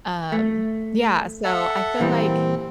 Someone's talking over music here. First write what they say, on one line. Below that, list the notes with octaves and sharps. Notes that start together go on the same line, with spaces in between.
Um yeah, so I feel like,
A3
A4 E5 F#5
A#2 E3 G3 C4